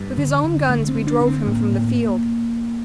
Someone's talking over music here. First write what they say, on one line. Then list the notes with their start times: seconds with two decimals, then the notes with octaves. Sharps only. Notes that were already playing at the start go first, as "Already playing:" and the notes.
With his own guns we drove him from the field.
Already playing: G2 G3
0.17 D3
0.44 D3
0.69 D3 A3
0.89 C4
0.95 D3
1.07 D4
1.21 D3
1.27 C4
1.46 A2 A#3
1.72 A2